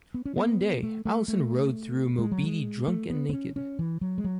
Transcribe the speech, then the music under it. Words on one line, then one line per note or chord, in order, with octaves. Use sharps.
One day, Allison rode through Mobeetie drunk and naked.
B3
C#4
B3
A3
A3
A3
G#3
F#3
G#3
A3
B3
B3
C#4
C#4
E3
F#3
G#3
F#3